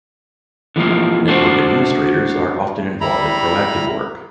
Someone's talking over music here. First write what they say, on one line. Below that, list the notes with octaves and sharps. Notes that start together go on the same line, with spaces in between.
Network administrators are often involved in proactive work.
D3 E3 F3 A#3
D4 F#4 C5
G3 E4 A#5 B5